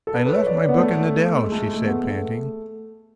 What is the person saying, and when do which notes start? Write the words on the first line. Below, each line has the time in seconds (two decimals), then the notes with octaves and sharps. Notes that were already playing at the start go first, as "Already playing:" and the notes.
"I left my book in the dell," she said, panting.
0.07 A4
0.15 B4
0.26 B4
0.36 C#5
0.47 D5
0.69 B3
0.78 A3
1.42 G#3
1.52 A3
1.63 G#3
1.74 A3
1.85 B3
1.94 A3